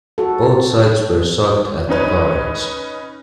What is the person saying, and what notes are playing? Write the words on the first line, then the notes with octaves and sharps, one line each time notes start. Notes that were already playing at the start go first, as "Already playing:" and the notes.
Both sides were shocked at the carnage.
F#4 A4
C#4 D#4 B4 C#5